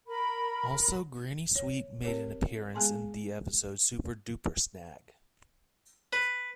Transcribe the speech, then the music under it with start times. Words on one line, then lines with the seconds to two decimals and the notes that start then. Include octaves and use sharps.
Also, Granny Sweet made an appearance in the episode Super Duper Snag.
0.07 A#4 B5
1.56 C#5
2.04 C4 G4 A#4 C#5
2.75 G#3 B3 G#4 G#5 A5 C6
6.13 B4